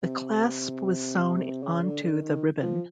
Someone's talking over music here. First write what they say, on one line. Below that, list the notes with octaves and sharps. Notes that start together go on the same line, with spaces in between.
The clasp was sewn onto the ribbon.
C3
C#3
D3
D3
D#3
F3